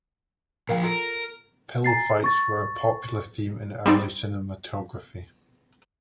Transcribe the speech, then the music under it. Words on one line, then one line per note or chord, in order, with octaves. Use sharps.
Pillow fights were a popular theme in early cinematography.
A#2 F3 A#4 F5 G5
F4 A4 A#4
G#5 A#5 A6 C7
C#6 A6
G3 C4 D#4 D5